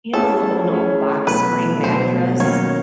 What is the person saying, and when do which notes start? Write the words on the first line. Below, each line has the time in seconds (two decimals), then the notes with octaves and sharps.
you know, a l an old box spring mattress?
0.13 A3 C#4 E4 G#4 A4 C#5
0.71 A3 C#4 E4 G#4 C#5
1.26 B2 F#3 A3 B4
1.83 B2 F#3 A3 C5
2.40 D#3 F#3 A#3 C#4 C#5